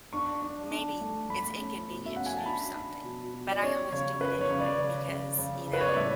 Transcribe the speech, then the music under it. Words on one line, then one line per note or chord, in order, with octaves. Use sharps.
maybe it's inconvenient to do something, but I always do it anyway because, you know,
D4 C#6
D4
D4
A3
A3 B5
C#4
B2
E5
C#4 F#5
G#5
A5
D4 B5
D4
B2
B2
D5
C#4 C#5
C#3 C#5
C#4 B4
C#5
C#3
D5
C#3
C#3
C#3
C#3
B4
C#5
D5
A2 E5